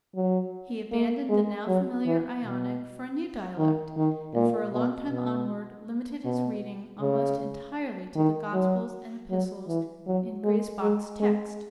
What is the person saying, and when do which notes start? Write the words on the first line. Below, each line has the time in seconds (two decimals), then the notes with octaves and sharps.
He abandoned the now familiar Ionic for a new dialect, and for a long time onward limited his reading almost entirely to the Gospels and Epistles in Griesbach's text.
0.15 F#3
0.92 A#3
1.30 G#3
1.67 F#3
2.06 E3
2.44 B2
3.58 D#3
3.96 D#3
4.35 A#2
4.73 B2
5.10 B2
6.25 B2
7.01 C#3
8.16 D#3
8.53 F#3
9.30 F#3
9.68 E3
10.06 F#3
10.44 G#3
10.82 G#3
11.20 G#3